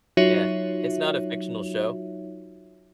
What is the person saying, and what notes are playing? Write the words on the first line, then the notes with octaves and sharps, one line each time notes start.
Yeah, it's not a fictional show.
F#3 D#4 F4 F#4 C#5 E5